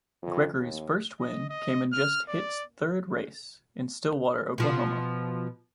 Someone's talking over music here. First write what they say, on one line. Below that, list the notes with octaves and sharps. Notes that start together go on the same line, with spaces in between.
Gregory's first win came in just his third race, in Stillwater, Oklahoma.
F2
D#2
D#5
D#5
F6
D5
B2 F3